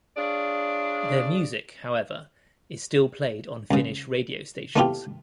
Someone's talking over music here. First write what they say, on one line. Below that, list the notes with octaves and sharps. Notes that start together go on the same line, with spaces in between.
Their music, however, is still played on Finnish radio stations.
D4 F4 G#4 C#5 D5
C#2 C#3
A3 B3 D4 E4 F4 G4